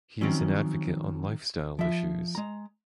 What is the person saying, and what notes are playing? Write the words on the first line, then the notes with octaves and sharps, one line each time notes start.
He is an advocate on lifestyle issues.
D#3 F3 F#3 C4 C#4
F3 E5
G#3 A#5